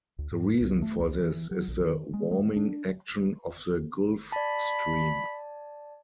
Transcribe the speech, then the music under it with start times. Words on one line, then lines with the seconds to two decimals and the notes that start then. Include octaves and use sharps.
The reason for this is the warming action of the Gulf Stream.
0.19 D2
0.31 G#2
0.61 C2
0.82 A3
0.99 C#2
1.21 E3
1.51 F#3
1.68 A#1
1.80 D#3
2.14 G#3
2.31 G#3
2.57 D4
4.32 D5 A5 B5